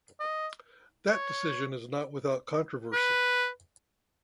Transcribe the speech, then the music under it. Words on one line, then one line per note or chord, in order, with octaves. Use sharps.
That decision is not without controversy.
D#5
C#5
B4